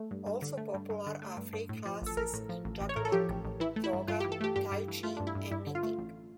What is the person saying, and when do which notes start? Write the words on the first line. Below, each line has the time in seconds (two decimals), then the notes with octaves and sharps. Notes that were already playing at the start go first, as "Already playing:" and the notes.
Also popular are free classes in juggling, yoga, tai chi and knitting.
Already playing: A3
0.11 G2
0.26 G2
0.42 D3
0.58 A3
0.74 G2
0.90 G2
1.06 D3
1.22 A3
1.37 G2
1.53 G2
1.69 A2
1.86 F3
2.02 A1 A4
2.17 A1 A#4
2.33 A2
2.49 F3
2.65 A1
2.80 A1
2.89 C#5
2.96 A2 A#4
3.05 A4
3.12 F3 G4
3.29 A1
3.44 A1
3.60 E3 E4
3.76 A3
3.84 E4
3.93 G2
4.08 G2 F4
4.20 G4
4.24 E3
4.32 A4
4.41 A3 G4
4.56 G2 G4
4.72 G2
4.88 E3
5.03 A3 F4
5.17 G2 D4
5.27 E4
5.35 G2
5.51 G2 E4
5.67 D3
5.75 F4
5.83 A3
5.98 A1